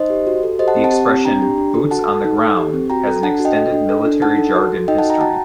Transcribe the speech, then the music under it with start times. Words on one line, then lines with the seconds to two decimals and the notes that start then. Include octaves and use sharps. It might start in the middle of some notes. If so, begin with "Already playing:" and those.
The expression "boots on the ground" has an extended military-jargon history.
Already playing: D#4 C5 D#5
0.10 G4
0.27 F#4
0.43 A4
0.59 G4 C5 D#5
0.68 F#5 A5
0.76 C4
0.84 F#5 A5
0.93 G4
1.09 C4
1.25 D4 G5 A#5
1.42 G4
1.58 D4
1.75 A4
1.91 F#4 F#5 A5
2.08 A4
2.24 D#4
2.41 A4
2.57 G4
2.74 C4
2.90 F#4 G5 A#5
3.07 A4
3.23 D4 F#5 A5
3.40 F#4
3.45 D#5 G5
3.56 A4 D#5 G5
3.72 D4
3.89 A4
4.06 D4
4.22 D#4 F#5 A5
4.39 A4
4.55 F#4
4.72 A4
4.88 D#4 D#5 G5
4.99 F#5 A5
5.05 F#4
5.10 G5 A#5
5.21 F#4 F#5 A5